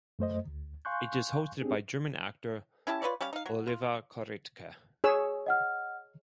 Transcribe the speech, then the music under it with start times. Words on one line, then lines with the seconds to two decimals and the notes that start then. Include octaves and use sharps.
It is hosted by German actor Oliver Korittke.
0.19 F#2 A3 C5 D#5
0.48 D2
0.85 F5 G#5 C6 C#6 F#6 G6
1.62 C4 D4 G4 G#4
2.87 C#4 E4 G4 A5
3.02 F4 B4 C#5 D5
3.21 G3 C#4 G4 F5
3.33 D#4 F5
3.46 F#3
3.67 F4
5.04 G#4 C#5 E6
5.46 D#5 F#5 F6